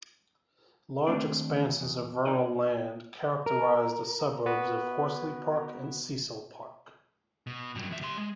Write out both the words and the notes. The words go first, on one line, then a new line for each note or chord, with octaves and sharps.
Large expanses of rural land characterise the suburbs of Horsley Park and Cecil Park.
D#2 D#3 A3 C4 D4 D5
E2
D#4 A#4 D5 D#5
A#4
B3 F#4 B4
B2
G2 F#3
E2 E5
G3 C6
G#3